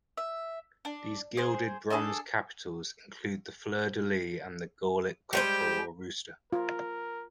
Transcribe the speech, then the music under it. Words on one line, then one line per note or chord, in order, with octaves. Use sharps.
These gilded bronze capitals include the fleur-de-lys and the Gallic cockerel or rooster.
E5
D4
G#4 C5
D4 G#4 A4 D#5
G3 G#3 G4 C5
F4 A#4